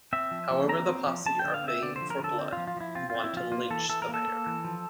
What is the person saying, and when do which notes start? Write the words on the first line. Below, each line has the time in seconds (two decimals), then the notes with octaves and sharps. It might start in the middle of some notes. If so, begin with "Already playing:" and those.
However the posse are baying for blood and want to lynch the pair.
0.13 C4 E5
0.31 F3
0.51 F3
0.69 C4 A#5
0.89 C4
1.07 F3
1.25 F3 A5
1.39 G5
1.44 D3
1.54 F5
1.64 C4 E5
1.82 D3 D5
1.96 C5
2.01 F3
2.10 A#4
2.20 D3 A4
2.39 C4
2.53 F3 F4
2.68 F4
2.77 F3 E4
2.95 C4 F4
3.10 C4 F4
3.24 E4
3.33 F3 F4
3.52 A#3 F4
3.70 E3 A4
3.89 E3 A4
4.02 A#4
4.08 A#3
4.14 A4
4.28 A#3
4.46 E3
4.65 F3